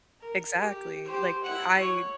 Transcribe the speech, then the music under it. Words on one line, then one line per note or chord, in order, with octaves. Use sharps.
Exactly, like, I
A#4
G4
G4 C5
E4 F#5
C#5